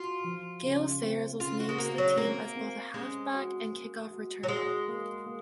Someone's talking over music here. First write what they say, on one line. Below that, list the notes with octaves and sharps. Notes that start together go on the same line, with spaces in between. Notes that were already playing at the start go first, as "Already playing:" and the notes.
Gale Sayers was named to the team as both a halfback and kickoff returner.
Already playing: F4 F#4
F3
C#3
C4
C#3 F4
F#4
G#3
A#3 F#4
F#3
A#3 C4
C4
G#3 C#4
F#4
A#3
F#4
F#3
G#3 F#4
A#3
A#3